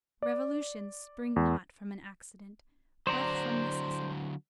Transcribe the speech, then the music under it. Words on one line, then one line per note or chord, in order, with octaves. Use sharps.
Revolutions spring not from an accident, but from necessity.
D5
E2
D3 F#3 C5 D5 A#5